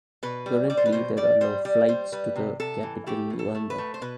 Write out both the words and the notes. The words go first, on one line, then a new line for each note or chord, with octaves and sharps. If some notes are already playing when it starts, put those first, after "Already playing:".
Currently, there are no flights to the capital Luanda.
B2 B4
G3
G3 D5
C5
B4
B2 C5
G3 D5
G3 C5
G3 D5
G3 C5
G3 B4
C3
C3 A4
E3
A3 G4
B2
A4
A3
B4
A3
C5
B2 B4